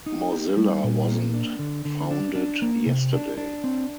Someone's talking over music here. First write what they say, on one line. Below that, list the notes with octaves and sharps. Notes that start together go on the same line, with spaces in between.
Mozilla wasn't founded yesterday.
D#4
G4
G3
A#2
A#3
D4
D3
D3
D4
D4
A#3
C3
D4
D4
C4